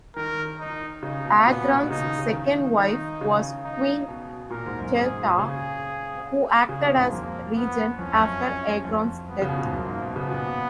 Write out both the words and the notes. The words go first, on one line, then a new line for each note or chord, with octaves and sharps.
Agron's second wife was Queen Teuta, who acted as regent after Agron's death.
D#3 A#4
D#4
C#3 D#4
B2
A#2 B3
B2
B2
C#3 D#4
D#3
C#3
D#3
D#3 D#4
C#3
D#4
B2
A#2 A#4
G#2
F#2
G#2 G#4
A#2
C#3 G#4
C#3 G#4
B2
G#2
F2 A#3
B3
F2 C#4
F#2
F2
B3
C#3
B2
A#2
G#2
F#2 A#3
G#2
B2
C#3 B3
A#2